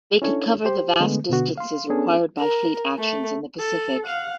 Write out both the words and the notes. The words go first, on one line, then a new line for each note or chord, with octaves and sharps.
They could cover the vast distances required by fleet actions in the Pacific.
C#4 D4 E4 A4 C#5
G4 C5
D3 G#3 A3 B3
B2 D3 B3 F#4
F5 C6
B3 C#4 D4 G#4 A4
A#4
A3
A4
F5 F#5